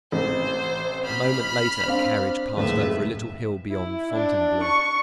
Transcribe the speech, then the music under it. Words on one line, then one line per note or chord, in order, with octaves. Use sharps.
A moment later a carriage passed over a little hill beyond Fontainebleau.
A1 C3 C5
B5 F6
C4 D4 F5
F#1 D#2 A2 B4 E5
E4
D4
C#6